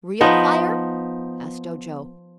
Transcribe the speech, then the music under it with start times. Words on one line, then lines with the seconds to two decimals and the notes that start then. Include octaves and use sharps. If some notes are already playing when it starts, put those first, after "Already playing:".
"Real fire?" asked Ojo.
0.21 F3 B3 D#4